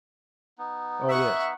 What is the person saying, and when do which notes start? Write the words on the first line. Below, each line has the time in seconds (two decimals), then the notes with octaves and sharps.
Oh, yes.
0.58 B3 D#4
1.09 E5 F#5 C#6